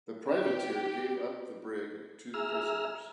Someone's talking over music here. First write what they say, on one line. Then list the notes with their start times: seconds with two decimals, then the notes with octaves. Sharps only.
The privateer gave up the brig to the prisoners.
0.29 G4
2.34 G#4 E5 A#5 E6 F6